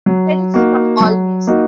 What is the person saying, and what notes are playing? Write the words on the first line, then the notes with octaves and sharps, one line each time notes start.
Credits from Allmusic.
F#3
A#3 D#4 F#4
F#3
A#3 D#4 F#4